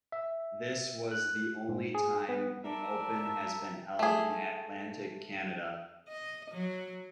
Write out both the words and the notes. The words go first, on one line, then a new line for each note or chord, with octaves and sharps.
This was the only time the Open has been held in Atlantic Canada.
E5
F#6
G#2
G#4
B3
A#4 D5 E5 A5
A3 G#4
D#5
F#3